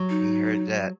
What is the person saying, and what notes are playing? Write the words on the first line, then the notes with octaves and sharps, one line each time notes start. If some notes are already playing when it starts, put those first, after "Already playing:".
He heard that.
Already playing: F#3
D#4